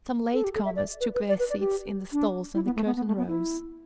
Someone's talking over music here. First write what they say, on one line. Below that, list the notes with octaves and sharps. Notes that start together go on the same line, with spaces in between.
Some latecomers took their seats in the stalls, and the curtain rose.
A4
G4
A4
E5
D5
B4
B4
D5
B4
D5
G4
D4
E4
B3
A3
B3
B3
A3
B3
E4